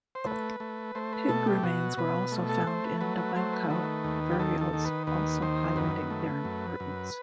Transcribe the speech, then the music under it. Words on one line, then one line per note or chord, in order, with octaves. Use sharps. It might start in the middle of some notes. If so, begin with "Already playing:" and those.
Pig remains were also found in Dawenkou burials also highlighting their importance.
C5
A3 B4
A3
A3 C5
B4
B2 A4
G4
B2 F#4
B2 B4
A3
A4
A3 C5
B4
F#3 B4
B4
A3 C5
B4
D#3 B4
D#2
G4
D#3 A4
A4
D#3
B4
D#2 B4
D#3 C5
F#2 B4
A3
F#2
F#2